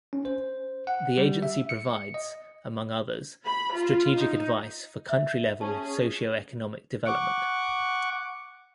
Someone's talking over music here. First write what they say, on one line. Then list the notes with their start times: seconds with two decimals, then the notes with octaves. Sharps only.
The agency provides, among others, strategic advice for country-level socio-economic development.
0.13 C#4
0.25 C5
0.87 F#5
1.17 G3
1.42 E5
1.69 C#7
2.14 D#5
3.45 B5
3.77 F4
4.17 D#4
5.09 E5
5.61 C#4 G#4 A5
7.06 F#5 C#6 D6